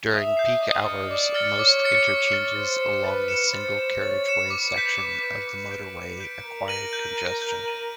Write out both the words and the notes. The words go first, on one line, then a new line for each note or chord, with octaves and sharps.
During peak hours, most interchanges along the single-carriageway section of the Motorway acquire congestion.
E5 D#6
G6 C7
D#5 D6
F6 A6 C#7
D5 D6
F6 A6 C#7
C#5 D6
F6 A6 C#7
D6
F6 A6 C#7
C5 A6
C#7 E7
B4 A6
C#7 E7
C5 A6
C#7 E7
C#5 A6
C#7 E7
B4 D6
G6 B6 D7
D6
G6 B6 D7
D6
G6 B6 D7
D6
G6 B6 D7
A#4 G6
A#6 D#7 F#7
G6
A#6 D#7 F#7
G6
A#6 D#7 F#7